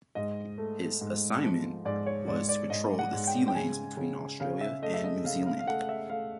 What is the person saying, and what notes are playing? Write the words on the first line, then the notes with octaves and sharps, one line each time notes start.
His assignment was to patrol the sea lanes between Australia and New Zealand.
G#2 D#5
A3
G#2
F3
G#2 D5
C#5
G#2 D5
D5
G#2 D#5
F#5
G#2
G5
G5
C#3 G#5
C#3
C#3 F5
E5
A3 D#5
E5
D#5
C#3 F5
F5
F5
A3 F#5
E5
A3 F5